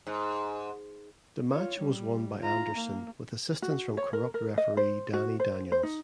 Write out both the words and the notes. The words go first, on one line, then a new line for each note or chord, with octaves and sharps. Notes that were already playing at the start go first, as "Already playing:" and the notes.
The match was won by Anderson with assistance from corrupt referee Danny Daniels.
G#2
F4 C#5
G3
F4 A#5
A#3
F#4
C#5
A#4
A#4
D#5
C5
F#4
C5
C5
D#4